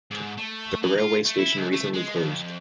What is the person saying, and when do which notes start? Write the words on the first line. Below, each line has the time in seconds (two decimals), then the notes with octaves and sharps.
The rail way station recently closed.
0.11 G#2
0.37 A3
0.83 E3
0.98 F4
1.25 A3
1.38 E4
1.56 C#2
1.73 A3
1.94 G#3
2.15 F2